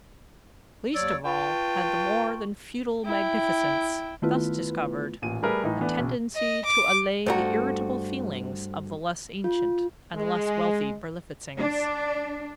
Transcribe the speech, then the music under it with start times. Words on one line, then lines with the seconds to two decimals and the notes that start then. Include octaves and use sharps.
Least of all had the more than feudal magnificence, thus discovered, a tendency to allay the irritable feelings of the less ancient and less wealthy Berlifitzings.
0.94 D#2 F#3 C#5 D5 E6
1.24 F4 B4 G5 A5 C#6
3.05 E4 G5
4.22 D#3 A3 B3 E4 F4 B4
5.22 A1 A#2 D#7
5.43 G3 A3 G#4 A#4 B4 E5
5.63 A2 E3 D#4 E4
5.79 E3 A3 B3 D4
5.98 B1 C#3
6.36 D#5
6.65 D6
7.26 G2 A3 F#4 A4 C5 A#5
9.44 F4
10.15 G#3
11.58 D4